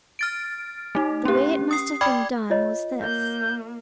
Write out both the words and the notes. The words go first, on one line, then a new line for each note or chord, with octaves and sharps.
The way it must have been done was this.
F6 A6 D7
A3 D#4
C#4 G4
D#6 C7
D5 G5 B5 D6 G#6
F4 C#5 D#5
A#3 G6